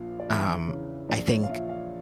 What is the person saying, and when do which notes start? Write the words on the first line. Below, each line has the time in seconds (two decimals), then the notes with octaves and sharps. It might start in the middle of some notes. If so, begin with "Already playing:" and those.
um, I think
Already playing: A#1 A#2 F3 F5
0.20 D5
0.28 E2 E5
0.68 C#3 E3
1.09 A#1 D5
1.29 C#5
1.43 F5
1.50 A#2 F3 E5
1.69 F5